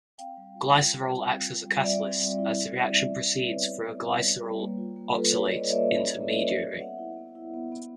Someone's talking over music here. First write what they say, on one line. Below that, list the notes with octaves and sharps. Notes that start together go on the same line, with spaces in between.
Glycerol acts as a catalyst, as the reaction proceeds through a glyceryl oxalate intermediary.
C4 F5 G5
G3
F4
F4
G3
C4
C4
F4
G3
G3 D5 E5
C4
G3
E4
G3
E4
E4 D5 E5
G3
B3
G3 B4 C#5
G3
B3
G3
G3
G3
A#3
F4
A#3
F4 A4 B4
F4 B4 C#5
D5
F4 C#5 D#5
A#3 D5 E5
C#4
F4
F4
F4
A#3
B3 E5 F#5
E4
B3
E4
B3
B3